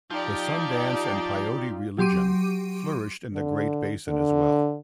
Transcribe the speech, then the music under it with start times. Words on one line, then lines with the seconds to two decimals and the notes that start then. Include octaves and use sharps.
The Sun Dance and Peyote religion flourished in the Great Basin, as well.
0.10 F3 D#4 F4 G4 D5
1.98 F#3 G4 C6 D6 D#7
3.33 D3
4.08 D3